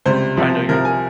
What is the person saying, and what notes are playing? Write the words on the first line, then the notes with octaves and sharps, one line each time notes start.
I know your name.
C#2 C3 G3 C5
C2 C3 F3
C2 C3 F3 A#4
G#5